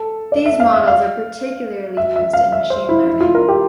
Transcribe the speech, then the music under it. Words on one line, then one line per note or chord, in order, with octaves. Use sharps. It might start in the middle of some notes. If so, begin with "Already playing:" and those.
These models are particularly used in machine learning.
Already playing: A4
D5
E5
F5
E5
F5
E5
E5
F5
E5
C5
E4
E4
F4
A#4
G4